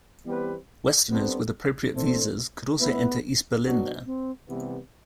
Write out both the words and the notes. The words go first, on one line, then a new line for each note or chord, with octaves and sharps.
Westerners with appropriate visas could also enter East Berlin there.
E3 G3 B3 C4 G4 B4
G3 B3 C4 D4 A4 C5
E3 A3 C4 D4 A4 C5
A3 B3 E4 B4
B2 F#3 B3 D4 F#4
C4
C3 E3 G3 B3